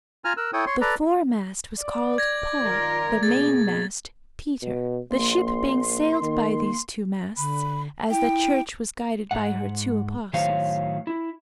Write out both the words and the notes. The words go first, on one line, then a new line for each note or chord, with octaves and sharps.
The foremast was called Paul, the mainmast Peter--the ship being sailed by these two masts, as the Church was guided by her two apostles.
F4 G#5 A#5 F6
A#4 E6 F#6
E4 A4 C#5 G5 D#6
C#5 C6
A4 B4 D5 A#5
D5
G#6 A#6
D#3 F4 A#4
B2 A3 A#3 G#4 A6
B2
A#1 A#3 C6
D#3
D3 B5
E4 G5
G#2 F#5
A2 D#3 F#3 C5 C#5 F5
E4